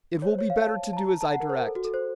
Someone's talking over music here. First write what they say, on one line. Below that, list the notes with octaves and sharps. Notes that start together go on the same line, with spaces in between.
It will be better to do as I direct.
C#5
C5
C#5
F5
A5
A5
A#5
A5
A5
F#5
A#4
C5
A#4
A4
F#4
A4
C5